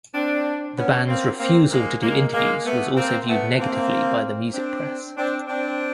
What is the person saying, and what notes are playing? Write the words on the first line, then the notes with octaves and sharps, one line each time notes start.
The band's refusal to do interviews was also viewed negatively by the music press.
C4 D4
B3 C#4
A#3 C4
A#3 C4
G#3 A#3
G#3 A#3
G#3 A#3
A3 B3
A#3 C4
A3 B3
A#3 C4
C4 D4
C4 D4
C4 D4